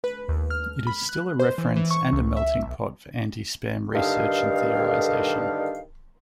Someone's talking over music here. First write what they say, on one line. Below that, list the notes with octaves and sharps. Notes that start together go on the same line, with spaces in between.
It is still a reference and a melting pot for anti-spam research and theorization.
B4
D#2
F6
B5
F#6
C5
E3
E3
C#6
C#2
E5
B1
G2 D3 D#3 F5